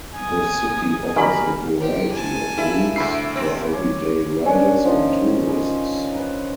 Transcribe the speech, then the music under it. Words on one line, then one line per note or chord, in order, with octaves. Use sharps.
The city offers a variety of routes for everyday riders and tourists.
G#5 D#6
F#2 D#3 G3 A#3 A#4 G#5 B5 F6
E4 G4 C5
G#5 A5
E4 G#4 A#4 F5
D2 B5 D6 E6 C7
C4
C5 C#5 D6
C#4 D4
D#3 F3
D#5 B5
B4 A#5